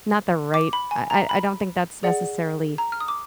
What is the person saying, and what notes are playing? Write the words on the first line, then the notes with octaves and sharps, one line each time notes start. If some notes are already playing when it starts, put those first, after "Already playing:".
not the right I I I don't think that's necessarily
D6
B5
G#5
A#5
B5
G#4 D5 F#5
A#5
F6
D#6
D6